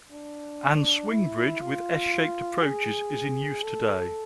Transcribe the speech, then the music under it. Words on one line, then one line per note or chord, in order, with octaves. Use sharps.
An swing bridge with S-shaped approaches is in use today.
D4
E4
F4
G#4
A4